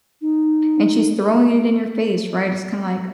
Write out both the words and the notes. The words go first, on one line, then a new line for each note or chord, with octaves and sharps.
and she's throwing it in your face, right, it's kinda like,
D#4